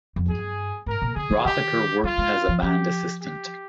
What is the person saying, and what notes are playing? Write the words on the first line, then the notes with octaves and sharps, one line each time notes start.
Rothacker worked as a band assistant.
F2
G2 G#4
G#2 A#4
A#2
D3 G#4
D#3
D#3 G4
G3 F4
G#3
F3
F3 G4
G4